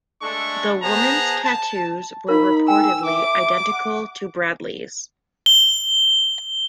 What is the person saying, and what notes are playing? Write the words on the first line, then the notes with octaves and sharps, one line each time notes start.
The woman's tattoos were reportedly identical to Bradley's.
G#3 A3 D4 A4 C#6
B3 G#4 C5 A5 A#5
A5
D#4 A#4 F5 B5
G5 G#5 E6
E5 D6
F#5
G7